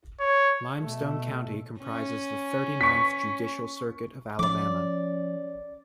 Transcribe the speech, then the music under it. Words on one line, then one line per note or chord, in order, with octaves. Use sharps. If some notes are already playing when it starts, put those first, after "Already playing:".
Limestone County comprises the Thirty-Ninth Judicial Circuit of Alabama.
C#5
B2 A3
C#4
C#6 B6
F3 C#4 D5 D6